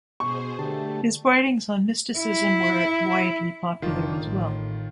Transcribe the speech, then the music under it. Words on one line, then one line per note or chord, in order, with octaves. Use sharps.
His writings on mysticism were widely popular as well.
B2 G#4 C5 C#6
D3 A3 G4 A5
E4
F#1 D#3 D4 F4
A1 A2